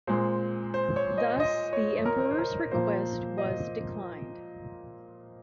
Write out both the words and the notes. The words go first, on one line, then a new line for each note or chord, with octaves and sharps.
Thus, the Emperor's request was declined.
A#2 G#3 C4 C5
C5
C#5
D#5
D#5
C#5
A#4
C5
A#4
A#2 F3 A#3 C5
D#5